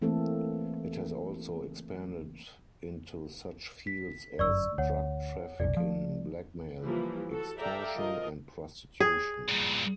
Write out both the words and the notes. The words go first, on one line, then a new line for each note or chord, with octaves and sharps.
It has also expanded into such fields as drug trafficking, blackmail, extortion, and prostitution.
E3 A3 A#3 C4 A4
B6
G1 F#2 D5 C#6 E6
D2 C#5 F#5
F1 B1 D5
F3 A3
E3 F3 G3 A#3
F#4 A4
A4 D5 E5 F5 G5 A#5
F3 F4 A#4 D#5
G#4
G2 A#2